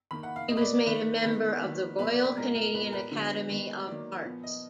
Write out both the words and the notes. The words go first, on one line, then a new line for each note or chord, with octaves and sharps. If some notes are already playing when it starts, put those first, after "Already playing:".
He was made a member of the Royal Canadian Academy of Arts.
D#3 A#3 B5
F#5
F5
B2 A#3 D#5
B4
D5
D5
D#3 A#3 B4
D#3 G#3 B3 B4
D#3 F#3 A#3
B2 F#3 A#3 B4
D5
B4
A#2 G#3 B3 A#4
A#4
A#2 G#3 B3 B4
A#4
B4
D3 F#3 B3
D#3 G#3 B3
D#3 F#3 A#3 D5
A#2 F3 B3
D#5